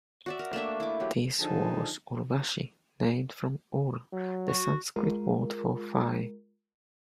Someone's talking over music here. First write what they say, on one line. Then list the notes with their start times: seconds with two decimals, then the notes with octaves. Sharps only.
This was Urvashi, named from ur, the Sanskrit word for thigh.
0.26 F#4 D5 E5
0.39 A#4
0.53 A3 A#3 D4 E5
0.80 E4 D6
1.00 F#3 G4
1.40 D3 F3 D#4 G#4 A5
4.13 F#3
4.47 F#4
4.96 G#3 F4 A#4